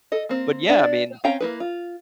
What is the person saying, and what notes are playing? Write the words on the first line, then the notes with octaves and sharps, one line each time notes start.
But, yeah, I mean,
A4 D#5
A#3 C4
D4 E5
C4 C#4 F5 G5 A#5
A#3 E4 B4
F4